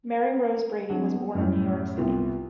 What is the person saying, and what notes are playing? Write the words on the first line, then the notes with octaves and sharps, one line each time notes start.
Mary Rose Brady was born in New York City.
F#3 C4 D4
B3
F#2 A2
C2 B3 F4